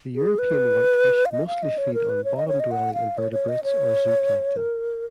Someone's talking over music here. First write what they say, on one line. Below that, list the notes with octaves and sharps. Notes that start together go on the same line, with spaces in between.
The European whitefish mostly feed on bottom-dwelling invertebrates or zooplankton.
G#4
B4
F5
D#5
F5
D#5
C#5
A#4
B4
C#5
D#5
C#5
D#5
F#5
F5
C#5
C#5
D#5
C#5
A#4